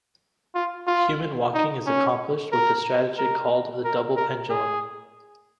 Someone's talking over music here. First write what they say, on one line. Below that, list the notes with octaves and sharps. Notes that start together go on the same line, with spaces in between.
Human walking is accomplished with a strategy called the double pendulum.
F4
F4
D#4
C#4
A#4
A#4
A#4
A#4
G#4